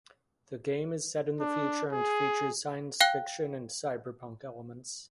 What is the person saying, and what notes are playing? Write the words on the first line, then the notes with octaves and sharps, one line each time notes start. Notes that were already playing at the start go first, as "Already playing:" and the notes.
The game is set in the future and features science fiction and cyberpunk elements.
D4
G#4
F5 G5 F#6 G7